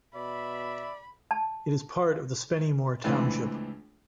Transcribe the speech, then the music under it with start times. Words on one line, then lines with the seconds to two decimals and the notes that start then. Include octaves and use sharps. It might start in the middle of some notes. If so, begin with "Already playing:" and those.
It is part of the Spennymoor township.
0.15 B2 D5 E5 B5
1.31 A5
3.04 C#2 A2 D3 E3 C4 D5